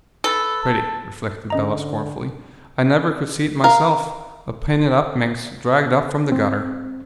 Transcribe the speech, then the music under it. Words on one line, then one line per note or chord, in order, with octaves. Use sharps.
Pretty!" reflected Bella scornfully, "I never could see it myself; a painted up minx, dragged up from the gutter.
A4 B4
A5
D3 C#4 D#5 A#5
A#4 F5
C4